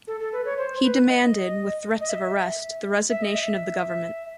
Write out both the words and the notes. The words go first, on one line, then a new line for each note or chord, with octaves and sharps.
He demanded, with threats of arrest, the resignation of the government.
A4
A4
B4
C#5
C5
B4
D#5
D#5
E5
E5
D#5
E5